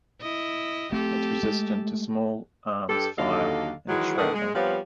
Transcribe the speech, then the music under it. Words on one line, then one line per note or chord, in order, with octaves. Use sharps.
It's resistant to small arms fire and shrapnel.
E4 D#5
A3 C4 G4 A4
G#3 A3
G2 G4 A4
D#2 D3 F#3 A4 D#5 F5
D#3 E3 F#3 G#3
A2 D3 D#3 G#4 B4 F#5
G#3
F3 G3 B3 C4 C#5 F5